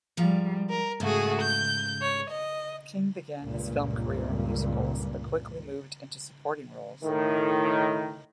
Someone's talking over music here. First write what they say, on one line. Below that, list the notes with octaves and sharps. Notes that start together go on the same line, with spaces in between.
King began his film career in musicals but quickly moved into supporting roles.
G#2 F3 G3 A#5
A#4
G#2 C#3 A3 F#4 G#4
G6
C#5
D#5
C#2 G2 A#2
A2 D#3